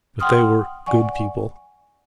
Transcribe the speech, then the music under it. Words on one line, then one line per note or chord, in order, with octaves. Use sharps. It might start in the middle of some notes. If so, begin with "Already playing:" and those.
But they were "good people".
F#5 G5 C6 D#6 F6
D5 F#5 G#5 C#6